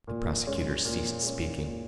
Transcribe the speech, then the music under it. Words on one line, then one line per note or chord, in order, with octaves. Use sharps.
The prosecutor ceased speaking.
A#2
G#3 C#4
A#2
G#3 C#4
A#2